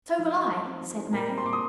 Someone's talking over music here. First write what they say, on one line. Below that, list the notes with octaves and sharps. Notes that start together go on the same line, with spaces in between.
"So will I," said Mary.
F3
D#4
F3
C4
F3
D#4
A#2 A#4 A#5
C4
C6
A#2 D6
D#6